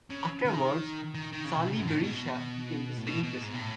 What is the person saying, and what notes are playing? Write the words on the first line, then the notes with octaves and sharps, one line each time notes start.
Afterwards, Sali Berisha became the second President.
C#3
D#3
D#3
D#3
C#3
B2
C#3
F#2
G#2
A2
B2
A2
B2
B2
G#2
B2
A2